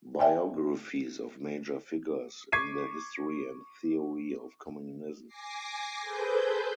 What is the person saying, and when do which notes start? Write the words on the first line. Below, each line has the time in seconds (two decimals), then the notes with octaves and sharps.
Biographies of "major figures" in the history and theory of communism.
0.19 D5 E5 G5 G#5
2.52 C#6 D6 G#6 B6 C7 D#7
5.26 G#5 D6 A#6 C7
6.01 G#4 A4 B4 C5 G6